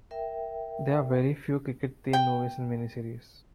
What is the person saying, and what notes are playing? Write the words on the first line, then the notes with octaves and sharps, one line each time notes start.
There are very few cricket themed movies and mini-series.
A#4 E5 G5
G5